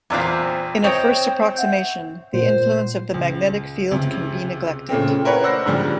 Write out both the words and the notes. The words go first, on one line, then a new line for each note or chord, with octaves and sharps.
In a first approximation, the influence of the magnetic field can be neglected.
E2 A#2 C4 E4 F5 D6 E6 F#6
C4 C#5 D#5 G5
E5 F#5 G6
A#2 C5
C#2
C#2 C3
A#2 C#3 A3 C4
E4 A#4 B4 C#5 F#5
C5 D5 F#5 E6 F#6 A#6
G#2 D3 F3 G3